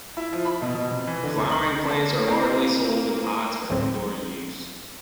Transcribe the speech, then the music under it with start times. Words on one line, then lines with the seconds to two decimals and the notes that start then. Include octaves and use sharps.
Flowering plants are largely sold in pots for indoor use.
0.17 E4
0.33 F3
0.45 B5
0.62 B2
0.75 B2
0.91 C3
1.07 E3
1.24 D3
1.38 C2
1.51 F#7
1.91 A#3 A5
2.28 F3 B3 C4 E4 D#5 A5
3.69 A1 D2 A2 F#3 C4